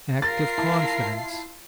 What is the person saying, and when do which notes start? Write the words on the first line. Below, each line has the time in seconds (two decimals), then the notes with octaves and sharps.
Act of Confidence.
0.22 F4 A#4 A6 C7
0.58 E4 A5